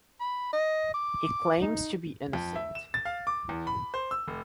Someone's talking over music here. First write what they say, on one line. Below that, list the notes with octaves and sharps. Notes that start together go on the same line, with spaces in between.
He claims to be innocent.
B5
D#5
D6
D#4
F2
E5
E7
A6
F5
D6
E2
B5
C5
E6
F1